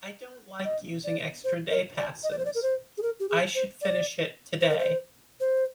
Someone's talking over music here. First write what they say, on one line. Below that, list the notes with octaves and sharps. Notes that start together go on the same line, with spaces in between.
I don't like using extra day passes; I should finish it today.
D#5
D5
C5
A#4
D5
D#5
D5
C5
D5
A#4
C5
G#4
A#4
G4
G#4
C5
D5
C5
A#4
C5
C5